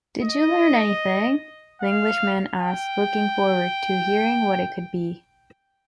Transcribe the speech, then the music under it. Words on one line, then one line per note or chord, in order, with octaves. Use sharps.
"Did you learn anything??", the English man asked looking forward to hearing what it could be.
D#5
F5
G5